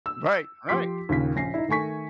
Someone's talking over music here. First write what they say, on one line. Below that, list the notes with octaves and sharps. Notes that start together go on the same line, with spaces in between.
Right. Right.
E6
F3 G4 C6 D6 B6
D#2 A#2 C#3 B6
A#1 C#4 A#6 C7
D#4 E4
D#3 A3 G#5 C#6 B6